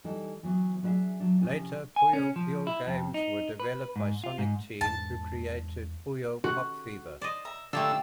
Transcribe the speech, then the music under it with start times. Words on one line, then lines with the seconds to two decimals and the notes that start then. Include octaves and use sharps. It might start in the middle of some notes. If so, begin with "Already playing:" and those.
Later Puyo Puyo games were developed by Sonic Team, who created "Puyo Pop Fever".
0.04 E3 G3 D#4 A4
0.43 E3 F#3 B3
0.83 F#3 D4 E4 G#4 E5
1.20 F#3 D4
1.40 C3 D#3 F3 C#4 E4
1.96 G#5
2.13 C#4
2.36 F3
2.67 E4
2.87 F2
3.14 D#4
3.60 B4
3.96 G#2
4.24 F4
4.38 G#2
4.81 E2 G#2 D4 A5
6.44 F#4
7.22 C5 D5 D#5
7.45 E5 A#5
7.73 D3 A3 A#3 D4 F4 G4 G5 E6